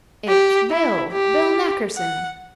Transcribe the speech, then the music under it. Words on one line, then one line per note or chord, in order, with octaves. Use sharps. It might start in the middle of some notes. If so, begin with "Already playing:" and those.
"It's Bill--Bill Nackerson!"
G4
E4
G4
F#5